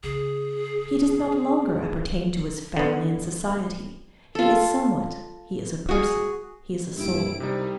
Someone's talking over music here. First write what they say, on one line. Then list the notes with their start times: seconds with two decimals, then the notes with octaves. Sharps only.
He does not longer appertain to his family and society; he is somewhat; he is a person; he is a soul.
0.03 C#3 G#4
2.77 D3 B3
4.35 F4 A4
5.89 F#4 G#4
6.96 G2 A#3 E4 G4 D7
7.40 C2 C3 G3 D#4